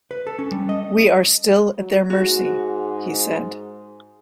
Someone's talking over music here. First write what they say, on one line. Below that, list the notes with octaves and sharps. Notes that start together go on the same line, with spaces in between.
"We are still at their mercy," he said.
B4
A4
C#4
G3
D#5
F#3
G#2 F#4